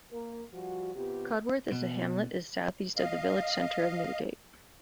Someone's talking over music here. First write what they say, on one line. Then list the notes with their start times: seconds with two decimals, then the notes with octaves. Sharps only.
Cudworth is a hamlet is southeast of the village centre of Newdigate.
0.11 A#3 A#4
0.53 F3 G3 F#4
0.95 C3 B3 F4 G4
1.72 B2
2.97 D#5 F5